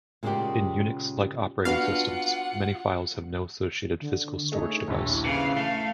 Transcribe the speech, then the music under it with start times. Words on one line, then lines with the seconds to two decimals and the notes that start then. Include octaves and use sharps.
In Unix-like operating systems, many files have no associated physical storage device.
0.23 A#2 C#3 G#3 F#4 G4 D5
1.65 B3 D4 F4 F#4 F5 F#5
4.01 D3
4.52 A3 D#4 G#4 C#5
4.88 A#1 D#2 E4
5.25 C#3 E3 F5 C7 C#7
5.57 A3 F5